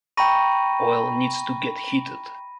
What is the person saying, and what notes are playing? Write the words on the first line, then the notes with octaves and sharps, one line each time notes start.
Oil needs to get heated.
G5 A#5 B5 C#6 A#6 D#7